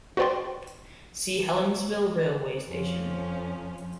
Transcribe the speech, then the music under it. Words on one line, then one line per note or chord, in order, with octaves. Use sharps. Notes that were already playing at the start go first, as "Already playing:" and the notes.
See Helensville railway station.
F#4 B4 C5 D5 G5 C6
F2 F3 C#4